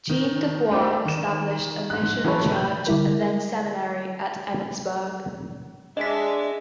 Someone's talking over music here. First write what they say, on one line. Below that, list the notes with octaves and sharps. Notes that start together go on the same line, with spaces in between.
Jean Dubois established a mission church, and then seminary at Emmitsburg.
D#3
A3 C4 D4 F4
D#3 E7
G#2 F#6
E3 F#3 C#4 A4 B4 C#5
B5 G6
D3 G3 E4 A#4
G#3 D4 D#5 E5 B6